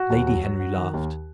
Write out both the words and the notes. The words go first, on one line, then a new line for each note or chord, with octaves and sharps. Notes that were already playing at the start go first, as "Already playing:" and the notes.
Lady Henry laughed.
Already playing: F#4
D#2
F#3
F#3
F#3
D#3
D#2